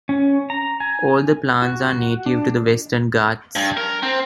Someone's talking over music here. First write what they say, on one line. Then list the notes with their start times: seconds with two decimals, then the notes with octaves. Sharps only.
All the plants are native to the Western Ghats.
0.09 C#4
0.50 A#5
0.80 G#5
1.62 F#4
2.26 D4
3.56 G2
3.77 A#4
4.03 C4